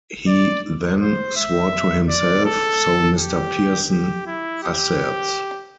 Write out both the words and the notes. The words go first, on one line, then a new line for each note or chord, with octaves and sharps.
He then swore to himself, so Mr. Pearson asserts.
D5
C5
E5
D5
A4
G4
G4
E4
G4